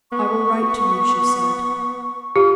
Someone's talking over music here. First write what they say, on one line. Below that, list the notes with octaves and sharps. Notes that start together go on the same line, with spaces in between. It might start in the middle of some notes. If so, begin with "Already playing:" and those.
"I will write to you," she said.
B3 C#6
F4 G4